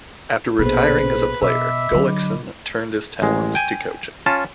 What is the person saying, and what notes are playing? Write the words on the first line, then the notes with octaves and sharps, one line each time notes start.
After retiring as a player, Gullikson turned his talents to coaching.
A#1 B2 G#4 A4 B4 C5
B2 D#5 E5 B5 D6
D3 F#3
A1 G#3
G5 G#5
C#4 F4 A5